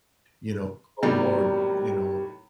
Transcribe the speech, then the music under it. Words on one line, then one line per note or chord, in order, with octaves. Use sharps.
you know, grow more, you know,
A2 C3 D#3 F#3 G3 B3 A#4